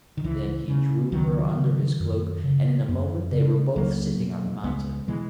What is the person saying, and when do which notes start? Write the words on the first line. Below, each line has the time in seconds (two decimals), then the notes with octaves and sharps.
Then he drew her under his cloak, and in a moment they were both sitting on the mountain.
0.17 D#3
0.24 C#2 E3
0.68 C#3
1.12 C#2 D#3 F#3
1.56 C#3
2.00 F#2
2.44 C#3
2.88 F#2
3.32 C#3
3.76 C#2 F#3 A#3
4.20 B2
4.63 C#2 G#3 B3
5.08 B2 E3 G#3